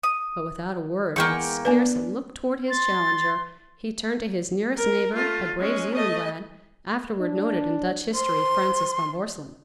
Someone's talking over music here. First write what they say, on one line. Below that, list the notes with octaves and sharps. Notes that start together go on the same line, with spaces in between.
But without a word, with scarce a look toward his challenger, he turned to his nearest neighbor, a brave Zealand lad, afterward noted in Dutch history--Francis von Borselen.
D#6
E2 G#3 A#3 G5 C#6
B3 D4 B4
C6 A6
A#4
A3 F4
G#3 C#4
A3 D#5
D4
C5 C6